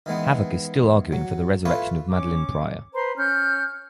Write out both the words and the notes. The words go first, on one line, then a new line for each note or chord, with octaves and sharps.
Havok is still arguing for the resurrection of Madelyne Pryor.
D#3 E3 G#3 B3
F#3
E4 F4 A4 B4 C#5
C#4 D6
B4 C5 A#5 C6
C#4 F6 G6